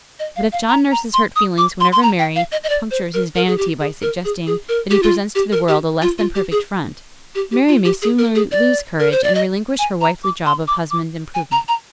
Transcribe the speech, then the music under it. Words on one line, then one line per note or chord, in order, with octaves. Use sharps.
But if John nurses hurt feelings whenever Mary punctures his vanity by suggesting that he presents to the world a less than perfect front, Mary may soon lose courage and relinquish her wifely job of husband improvement.
D#5
F5
F5
A#5
A#5
C6
D#6
D6
C6
C6
A#5
G5
F5
D#5
D#5
D5
C5
A#4
A#4
G#4
G4
G#4
A#4
G#4
G#4
A#4
G4
F4
G4
A#4
G4
F4
F4
G4
G#4
G4
G4
F4
G4
G#4
A#4
G#4
D5
A#4
C5
D5
D#5
G#5
A#5
D6
C6
D6
D6
G#5
A#5
A#5